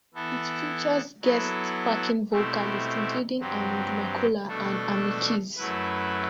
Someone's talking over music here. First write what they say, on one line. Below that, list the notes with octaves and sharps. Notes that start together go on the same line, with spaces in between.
It features guest backing vocalists, including Arnold McCuller, and Amy Keys.
E3 B3 E4 A4
F#3 B3 E4 A4
B2 A3 C4 E4 G4
G2 F#3 C4 G4
B2 A3 D4 A4
F#2 F#3 A3 E4 B4